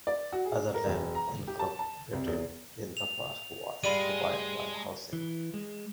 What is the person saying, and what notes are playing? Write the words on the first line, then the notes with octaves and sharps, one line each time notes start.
Other land incorporated in the park was occupied by housing.
D5
F#4
G#4
A#4
E1
A#5
G4
A5
A5
C2
E2
F7
G2 G#3 F4 D5 B5 D#6 D#7
E3
G#3